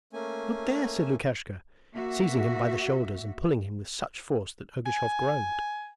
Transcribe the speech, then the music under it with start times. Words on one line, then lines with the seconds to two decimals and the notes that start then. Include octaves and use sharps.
Look there,' said Lukashka, seizing him by the shoulders and pulling him with such force that Ergushov groaned.
0.13 A3 A#3 C#4 G#5
1.93 A#3 F#4 E5
4.86 G#5